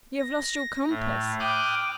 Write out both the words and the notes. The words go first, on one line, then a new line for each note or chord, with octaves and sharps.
You have lost your compass!
A#6
A2
G5 D6 D#6 F6 F#6